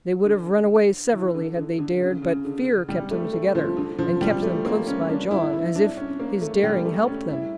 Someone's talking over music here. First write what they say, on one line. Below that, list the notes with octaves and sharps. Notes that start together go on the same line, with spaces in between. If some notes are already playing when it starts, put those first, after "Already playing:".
They would have run away severally had they dared; but fear kept them together, and kept them close by John, as if his daring helped them.
D3
E3
D3
D3
D3
C#3
C#3
D3
G3
A3
A3
F3
D3
F3
G3
A3
A#3
C#4
D4
E4
E4
D4
C#4
A#3
A3
G3
A3
C#4
E4